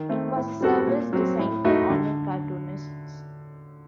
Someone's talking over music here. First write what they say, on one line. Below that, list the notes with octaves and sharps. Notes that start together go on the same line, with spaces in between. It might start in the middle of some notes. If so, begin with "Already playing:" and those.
It was a service designed for online cartoonists.
Already playing: D#3
A3 C4
A2
G3 C4 F#4 A4
A#2
F#3 C4
A2
A3 D#4 F#4
D3